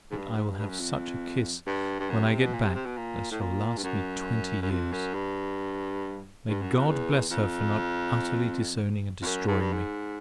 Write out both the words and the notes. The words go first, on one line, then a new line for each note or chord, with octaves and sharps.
But I will have such a kiss when I get back, as shall last me twenty years. May God bless her for not utterly disowning and destroying me!
G#2
G2
G#2
G2
G2
F#2
F2
G2
G2
F#2
C3
B2
A#2
C3
C3
B2
A#2
A2
A#2
G2
F#2
F#2
F2
F#2
G2
G2
F#2
F2
E2
F2
F2
F#2
G#2
G2
G#2